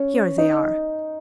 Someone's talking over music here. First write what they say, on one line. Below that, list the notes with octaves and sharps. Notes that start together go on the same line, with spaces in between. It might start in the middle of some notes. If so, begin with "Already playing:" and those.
Here they are...
Already playing: C#4
D#4